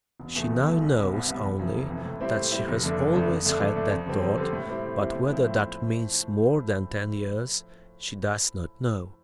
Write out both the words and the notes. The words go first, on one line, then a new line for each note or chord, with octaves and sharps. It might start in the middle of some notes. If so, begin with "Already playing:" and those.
She now knows only that she has always had that thought, but whether that means more than ten years, she does not know.
E1
E2 B2 A3
E1
E2 B2 A3
C2
C3 G3 B3
C2
C3 G3 B3
F1
F2 E3
F1
F2 E3
A2
G3 C4 E4
A2
G3 C4 E4
F1
F2 D3 A3 D4
F1
F2 D3 A3 D4
F2
D3 A3 D4
F2
D3 A3 D4
F2
D3 G3 C4
F2
D3 G3 C4
A2
G3 C4 E4
A2
G3 C4 E4
A2
F3 C4 E4
A2